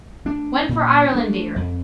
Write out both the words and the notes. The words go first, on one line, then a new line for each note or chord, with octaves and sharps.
When for Irelandear.
A3 D4
A#2
A3 D4
F2